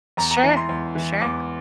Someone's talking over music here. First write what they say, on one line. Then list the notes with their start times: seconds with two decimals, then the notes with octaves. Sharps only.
Sure. Sure.
0.17 E2 A#5
0.31 A#5
0.43 E3
0.57 C6
0.69 E2
0.95 E3
1.21 E2 D6